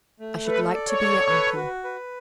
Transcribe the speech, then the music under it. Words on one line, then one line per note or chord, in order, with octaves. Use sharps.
I should like to be your uncle.'
A3
A4 B4
D5
C#5
A4
B4
F#4
B4